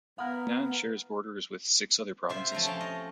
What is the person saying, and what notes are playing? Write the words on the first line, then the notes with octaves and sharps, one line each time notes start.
Henan shares borders with six other provinces.
B3 E4 A#4 F5 F#5 D#6
C3 F4 C5 E5
F3 A3 C#5 A#5
C4 C#4 C5 F5 G5 A5
D#5